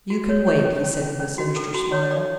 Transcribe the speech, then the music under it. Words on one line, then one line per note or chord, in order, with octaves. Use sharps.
"You can wait," he said with a sinister smile.
F#4
C#5
C#5
C#4
C#4
C#4
C#4
F#4
A4
F#4
C#5
D5